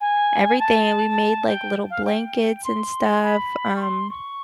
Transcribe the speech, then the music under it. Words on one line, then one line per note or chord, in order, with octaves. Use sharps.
everything, we made, like, little blankets and stuff, um
G#5
A5
G5
F5
G5
C6
B5
C#6
C6
C#6